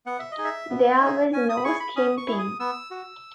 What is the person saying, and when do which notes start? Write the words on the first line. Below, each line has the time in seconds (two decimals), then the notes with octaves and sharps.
There was no skimping.
0.06 B3 F#5
0.19 E5
0.32 D#5
0.38 D#4 G#4
0.45 E5
0.70 B3
1.01 D#4 G#4
1.33 C#4 G#5
1.49 D#6
1.57 B5
1.64 E4 G#4 C#6
1.80 B5
1.96 C#4 D#6
2.17 C#6
2.27 E4 G#4
2.38 D#6
2.60 B3 E6
2.91 F#4